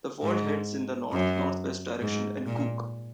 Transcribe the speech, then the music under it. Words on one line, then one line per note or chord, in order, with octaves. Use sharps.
The fault heads in the north north west direction in Cook.
G#2
F#2
G#2
A#2